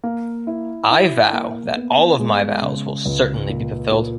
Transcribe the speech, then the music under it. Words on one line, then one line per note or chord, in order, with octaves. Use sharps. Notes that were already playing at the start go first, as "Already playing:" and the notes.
I vow that all of my vows will certainly be fulfilled.
A#3
E4
E4
A#3
B3
G#3
C#3
C#2
A#2
A#2